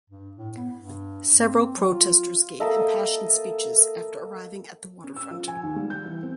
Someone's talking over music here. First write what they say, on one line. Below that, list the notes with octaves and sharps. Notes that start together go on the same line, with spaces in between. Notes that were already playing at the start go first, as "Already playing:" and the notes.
Several protesters gave impassioned speeches after arriving at the waterfront.
G2
A2
B3
G2
C4
F#3
F4
A#3 A4 D#5 E5
C#4
E6
F3
G#5
D#2
G3
G6
E3
C4